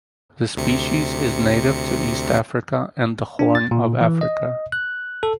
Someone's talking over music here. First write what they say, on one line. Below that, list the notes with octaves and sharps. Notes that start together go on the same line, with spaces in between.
The species is native to East Africa and the Horn of Africa.
D2 C3 C#7
D4
A6
A#2
E3
D#5
F#6
A4